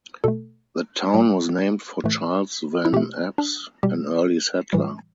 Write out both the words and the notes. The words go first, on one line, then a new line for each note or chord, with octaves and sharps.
The town was named for Charles Van Epps, an early settler.
B2 A3 A4
A2 G3
A2 E3 A3
E4
B2 A3 G4
D4
B2 G3 G4
A2 E3 G3